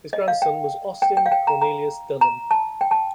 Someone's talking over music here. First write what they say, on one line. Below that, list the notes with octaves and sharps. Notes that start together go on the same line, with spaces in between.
His grandson was Austin Cornelius Dunham.
D#5
F5
G5
G5
G5
F5
G5
A#5
A#5
A#5
A5
G5
A5